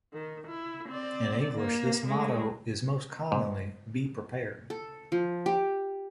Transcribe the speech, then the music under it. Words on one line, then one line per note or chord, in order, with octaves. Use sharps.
In English, this motto is most commonly Be Prepared.
D#3
E4
C4 D5
A#3
G#3 A3
G#2
A4
F3
G4